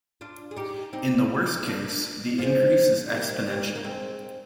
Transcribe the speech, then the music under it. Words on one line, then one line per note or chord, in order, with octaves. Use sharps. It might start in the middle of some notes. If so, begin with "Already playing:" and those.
In the worst case, the increase is exponential.
D4 F4
G#4
D#4 G4
C4 D#4
A#3 D4
F3 G#3
D#3 G3
G3 A#3
A#3
G#3 C4